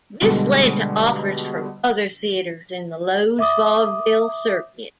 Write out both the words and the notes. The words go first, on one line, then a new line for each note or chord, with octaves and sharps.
This led to offers from other theaters in the Loew's Vaudeville circuit.
B2 D3 G3 G#3
E5 D6 D#6